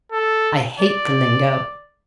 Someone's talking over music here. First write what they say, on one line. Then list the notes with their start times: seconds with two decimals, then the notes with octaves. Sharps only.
'I hate the lingo.
0.12 A4
0.79 D5